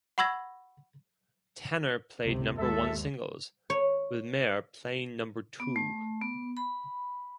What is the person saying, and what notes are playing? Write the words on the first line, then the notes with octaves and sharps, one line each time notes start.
Tanner played number one singles, with Mayer playing number two.
F#5 B5 C#6 E6 G#6 A#6
G1 C#2 C3
D#2 G#3 A4 E5
C#5
B3
A3
B3
B5